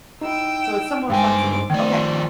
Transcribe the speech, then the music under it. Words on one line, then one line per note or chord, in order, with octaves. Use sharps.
so it's somewhat flexible. Okay.
D#4 E4 G5 E6
G2 G#3 C5 G5 G#5 D6
D#3 F3 A3 C4 D5